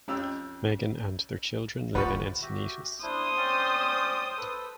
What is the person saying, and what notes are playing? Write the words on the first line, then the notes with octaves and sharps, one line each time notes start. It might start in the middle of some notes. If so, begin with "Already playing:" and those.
Meggan and their children live in Encinitas.
F2 C#4 G4 E6
D1 F3 G3 B4 F#5 C#6
F#4 G4 E5
D4 E4 C5 D#6
C#4 D5 G5
A4 B4